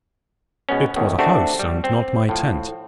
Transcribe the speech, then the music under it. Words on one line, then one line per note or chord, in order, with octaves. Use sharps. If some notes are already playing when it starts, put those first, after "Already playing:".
It was a house, and not my tent!
B2 G#3 B3 C#4
A1 E2 D#3
A3 C4 D4 F#4 G4
G3
C4
A2 F3